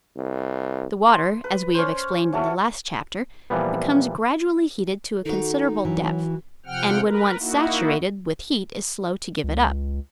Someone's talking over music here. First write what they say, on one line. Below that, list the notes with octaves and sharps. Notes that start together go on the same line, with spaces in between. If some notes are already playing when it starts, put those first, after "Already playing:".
The water, as we have explained in the last chapter, becomes gradually heated to a considerable depth, and when once saturated with heat is slow to give it up.
C2
C6
B4
C#4 C5
C#4 E4 F#4 A4
A#2 E3 F3 G3 B3
D#3 D#4 F#4 A4
E3 F#3
C3 F3 F#5 G5 F6
A#4 B4
A#3 D#4 E4 F#4
C#2